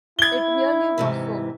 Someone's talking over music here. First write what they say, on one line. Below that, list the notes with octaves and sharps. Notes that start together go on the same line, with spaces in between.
It really was so.
E4 G#6 G7
G#2 C3 E3